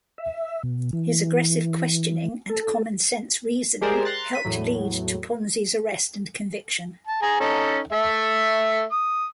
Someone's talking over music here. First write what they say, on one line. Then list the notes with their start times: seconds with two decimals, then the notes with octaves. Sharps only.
His aggressive questioning and common-sense reasoning helped lead to Ponzi's arrest and conviction.
0.18 E5
0.63 B2
0.93 E3
2.49 A4
3.81 G#3 G4 G#4 A#4 C5 D5
4.05 A#5 C6 F#6 A6
4.33 B6 D#7
4.45 E2 A2 F#3
7.07 A5
7.22 G#4 G#5 A#5
7.40 C#4 D#4 A4
7.92 A3 E5
8.92 D#6